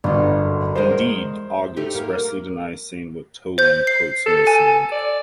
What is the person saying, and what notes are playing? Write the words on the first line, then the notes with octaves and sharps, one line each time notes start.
Indeed, Ogg expressly denies saying what Toland quotes him as saying.
G1 F#2 A2
E2 G#3 A#4 C5
A3 D#4 G4
A#3 A#4
C5 G6
C7
A4
G#5
D5